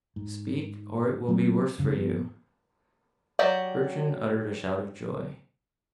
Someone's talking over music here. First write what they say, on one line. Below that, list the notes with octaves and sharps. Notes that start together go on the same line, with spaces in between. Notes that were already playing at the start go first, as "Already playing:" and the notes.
'Speak or it will be worse for you.' Bertrand uttered a shout of joy.
G#2
F#3 A3 C4
F#2 C#3 G3
G2 F3 B3
F#3 F#4 G4 D5 G5